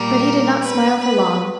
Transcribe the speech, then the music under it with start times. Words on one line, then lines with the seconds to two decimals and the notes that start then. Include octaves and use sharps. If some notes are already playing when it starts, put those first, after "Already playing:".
But he did not smile for long.
Already playing: A#2 G3 A#4
0.62 B4
1.01 B4